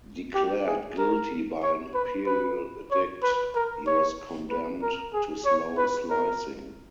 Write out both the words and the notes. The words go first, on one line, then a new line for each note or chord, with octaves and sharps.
Declared guilty by an imperial edict, he was condemned to slow slicing.
G4
G#4
A#4
C#5
B4
B4
C#5
B4
A#4
C#5
B4
A#4
G#4
C#5
B4
A#4